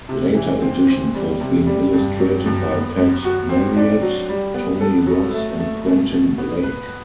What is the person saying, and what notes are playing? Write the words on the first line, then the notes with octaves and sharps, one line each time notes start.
Later editions have been illustrated by Pat Marriott, Tony Ross, and Quentin Blake.
C3
E3
C4
C4
G3
C3
G3
G2
F#3
F#2
B3
F#2
F#4
C4
D4
F#3
G3
B3
A4
F#3
A3
A3
B2
B2
B3
B4